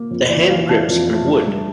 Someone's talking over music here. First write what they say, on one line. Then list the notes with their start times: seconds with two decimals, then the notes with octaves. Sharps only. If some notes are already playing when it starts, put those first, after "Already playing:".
The handgrips are wood.
Already playing: A#3
0.11 F2
0.30 E3 D5
0.49 E3 F5
0.69 E3 A5
0.88 F2
1.08 A3
1.28 D4
1.47 G3